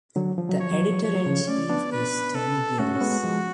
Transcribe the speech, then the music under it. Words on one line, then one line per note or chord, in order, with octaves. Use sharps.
The editor-in-chief is Tony Gillies.
D3 F#3
F3
F#3
F3 C#5
F#3
F3
F#3
F3 C#5
F#3
C#3 F3
A3 C#4 D5
B3 D4
B4
A4
A3 C#4 F#4
C#4
G#3 B3
F3 G#3